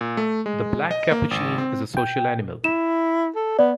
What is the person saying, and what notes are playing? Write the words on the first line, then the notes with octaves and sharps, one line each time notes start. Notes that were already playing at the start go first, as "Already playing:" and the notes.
The black capuchin is a social animal.
A#2
A3
G#3
D#5
A#3
G#1
C4
G5
E4 E7
A4
B3 D5